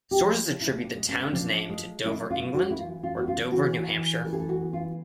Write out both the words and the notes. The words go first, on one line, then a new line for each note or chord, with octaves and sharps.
Sources attribute the town's name to Dover, England or Dover, New Hampshire.
G4
F3
A#2 E4
D4
G#3
C#4
C#4
F3 D4
G#3
G#3 E4
F4
G#3
F#4
E4
E3 F4
F4
B3 F#4
F4
E3 F#4
E3
E3 A4
G#4
A4
F#4
B3
F4